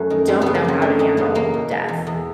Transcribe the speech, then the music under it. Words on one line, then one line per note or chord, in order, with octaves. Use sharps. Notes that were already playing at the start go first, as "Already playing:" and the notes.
don't know how to handle death
Already playing: F#2 F#3 A3
D#3
F#2 C4
C#3 B3
A#3
F#3 C4
A3 D4
F#2 D#4
C#3 B3
E2 A#3
B2
G#3
E2
E2